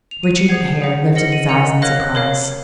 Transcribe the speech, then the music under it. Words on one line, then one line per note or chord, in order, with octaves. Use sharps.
Richard Hare lifted his eyes in surprise.
F7
D#7
C#7
G#4 C5 F#5 G#6 C7
G#4 C5 F#5
A#4 D#5 F#5 A#6 C#7
D#7 F#7
A#4 D#5 F#5 C#7 F7
A#4 C#5 F5 F#6 A#6
A#4 C#5 F5